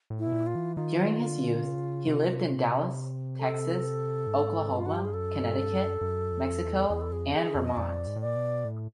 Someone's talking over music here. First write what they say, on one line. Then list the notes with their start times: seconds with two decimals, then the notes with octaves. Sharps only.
During his youth he lived in Dallas, Texas, Oklahoma, Connecticut, Mexico and Vermont.
0.10 A2
0.19 E4
0.26 B2
0.32 A#2
0.47 F4
0.55 E3
0.76 D#3 F4
1.20 D3
1.65 C#3
2.08 C3
3.39 A4
4.27 G#2
4.70 G2
4.77 F4
4.86 F#4
4.95 G4
5.05 G#4
5.14 F#2 A4
5.43 G2
5.73 F#2
6.01 F#2
6.32 F2
6.60 E2
6.89 E2 G#4
7.01 A4
7.11 F2 G#4
7.33 G#4
7.55 F2
7.65 D#5
7.77 F2 D5
8.07 G#2
8.16 A2
8.21 A#2 D5
8.36 B2
8.65 A2